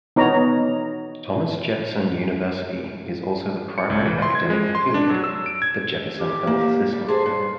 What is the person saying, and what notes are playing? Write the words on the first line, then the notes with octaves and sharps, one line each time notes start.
Thomas Jefferson University is also the primary academic affiliate of the Jefferson Health System.
B3 D#4 C#5 A#5
C#7
C#2
E3
C6
G#6
G#3
C6
D4
F#3
E6
D7
G#6
G4
A#3
G3
G#4 A4 C5 C6
G2